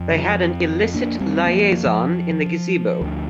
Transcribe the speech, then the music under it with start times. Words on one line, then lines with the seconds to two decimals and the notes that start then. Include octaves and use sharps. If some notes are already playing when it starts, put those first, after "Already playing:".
They had an illicit liaison in the gazebo.
Already playing: F2
0.12 D3
0.18 F3
0.94 A#3 D4
1.20 G3 C4
1.46 F3 A#3
1.86 F3
3.01 D2 D3